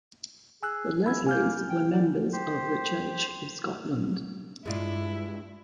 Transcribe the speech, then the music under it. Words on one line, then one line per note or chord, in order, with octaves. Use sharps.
The Leslies were members of the Church of Scotland.
G#4 G#5 E6 F#6
C#4 B5 E6 G#6
A#3 G#5 F6 G6
G5
D5
G4 C5
G2 G#3 D4 E4 F4